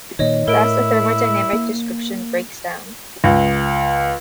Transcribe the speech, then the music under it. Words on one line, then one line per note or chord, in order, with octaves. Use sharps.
Thus, a thermodynamic description breaks down.
A#2 D#3 C#5 D#5
A2 E4 A#4 D7
A#3
C#2